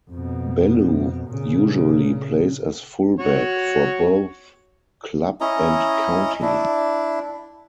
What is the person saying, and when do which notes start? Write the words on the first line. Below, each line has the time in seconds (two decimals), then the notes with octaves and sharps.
Bellew usually plays as full back for both club and county.
0.10 F2 B2
1.27 A#2 C#3
3.19 F#4 C#5
5.41 C#4 E4 D#5 A#5
6.42 D4 E4